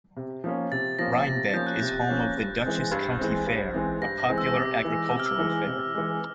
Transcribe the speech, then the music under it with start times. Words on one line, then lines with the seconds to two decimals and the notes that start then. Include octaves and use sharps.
Rhinebeck is home of the Dutchess County Fair, a popular agricultural fair.
0.17 C3
0.44 F3 A#3 C#4
0.72 C3 A6
0.99 F3 A#3 C#4 A#6
1.27 C3 A6
1.54 F3 A#3 C#4 G6
1.67 F#6
1.80 C3 G6
2.09 F3 A#3 C#4
2.37 G2
2.64 E3 G#3 C4
2.91 G2 G#6
3.19 E3 G#3 C4
3.47 G2
3.74 E3 G#3 C4
4.02 G2 A#6
4.19 A#6
4.29 E3 G#3 C4
4.38 E6
4.56 C3 D6
4.85 E3 G#3
5.11 C3 E6
5.20 F6
5.26 E6
5.39 E3 G#3
5.67 C3
5.95 E3 G#3